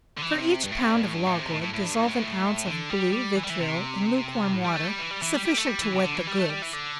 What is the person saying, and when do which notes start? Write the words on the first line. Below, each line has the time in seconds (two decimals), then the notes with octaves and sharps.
For each pound of logwood, dissolve an ounce of blue vitriol in lukewarm water sufficient to wet the goods.
0.18 D3
0.22 E3
0.34 C3
0.64 G2
0.72 A2
0.81 C3
0.92 G2
1.04 A2
1.15 G2
1.26 A2
1.39 C3
1.50 A2
1.62 A2
1.74 A2
1.85 G2
1.97 A2
2.04 G2
2.08 A2
2.66 D3
2.90 G3
3.13 G3
3.36 E3
3.43 G3
3.50 E3
3.60 C3
4.53 A2
4.64 G3
4.76 A3
4.88 G3
4.99 E3
5.11 G3
5.22 E3
5.34 G3
5.45 G3
5.57 A3
5.69 G3
5.80 E3
5.92 C3
6.04 D3
6.15 E3
6.27 G3
6.39 A3
6.50 G3
6.62 E3
6.74 D3